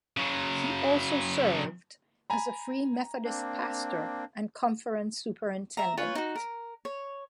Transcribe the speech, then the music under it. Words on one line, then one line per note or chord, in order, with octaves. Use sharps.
He also served as a Free Methodist pastor and conference superintendent.
C#3 F#3
G#5 A#5 B5
A#3 C4 D4
E5 A#5
F4 B4 C#5 G#5
D#4 F#4
A#4
C#5